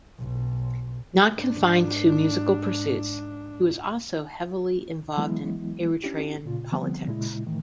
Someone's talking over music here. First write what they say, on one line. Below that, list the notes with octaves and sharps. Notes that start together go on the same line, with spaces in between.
Not confined to musical pursuits, he was also heavily involved in Eritrean politics.
B1
G#2 D4
E3 F#3 G#3 B3 E4
C#4 D4 E4 G4
A#2 C#3 F4
D3 F3 G3 B3 C4
A#2 C#3 G#3 E4
A2 D#3 E3 A3